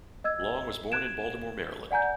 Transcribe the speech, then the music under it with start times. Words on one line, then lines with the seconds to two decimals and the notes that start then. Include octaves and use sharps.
Long was born in Baltimore, Maryland.
0.24 D#5 E6 G#6
0.92 F#6 G#6 D7 E7
1.91 D5 F#5 G#5 A#5 G6